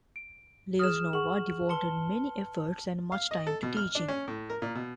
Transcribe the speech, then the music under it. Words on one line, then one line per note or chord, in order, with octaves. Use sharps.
Lioznova devoted many efforts and much time to teaching.
D7
G#4 D#6 F6 E7
G#4 F#5 C#6 F#7
B4 A5 C6 C#7 G7
F5
D#5
A4
B2
F6
D4
C#4
A2
A#4
A#2
B2